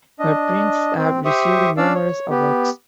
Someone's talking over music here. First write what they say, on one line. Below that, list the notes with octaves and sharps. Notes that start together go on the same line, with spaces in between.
Her prints have received numerous awards.
D4 D#5
C4
G4 C5 E5 C#6 D#6
C#4 D4 D5 F5 E6
C#5
B3 G4